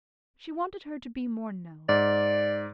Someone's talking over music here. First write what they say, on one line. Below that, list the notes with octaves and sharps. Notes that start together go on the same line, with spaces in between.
She wanted her to be more known.
G#2 D5